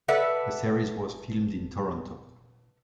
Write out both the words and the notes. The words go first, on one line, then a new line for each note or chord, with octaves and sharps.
The series was filmed in Toronto.
A4 B4 D5 E5 F#5